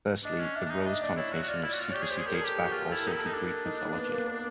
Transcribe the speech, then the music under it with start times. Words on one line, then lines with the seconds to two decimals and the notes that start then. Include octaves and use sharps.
Firstly, the rose's connotation of secrecy dates back also to Greek mythology.
0.25 D4 D#5
0.39 C#4
0.55 D4 E5
0.66 D4
0.70 D#4
0.86 D4 D#5
1.02 D4 D5
1.17 E4 C#5
1.33 F#4
1.43 F#4
1.48 F4 D5
1.64 E4
1.69 F#4 D5
1.79 F4
1.90 G4 C#5
2.02 G#4
2.11 G4 C5
2.19 G#4
2.26 G4 A#4
2.35 G#4
2.41 G4 A4
2.56 G#4
2.65 F#4
2.72 F4 G4
2.88 E4 A4
3.03 A#4
3.08 D#4
3.14 E4 A4
3.27 D#4
3.34 D4 A#4
3.65 D#4
3.80 A#3
3.96 B3
4.11 A#3
4.26 B3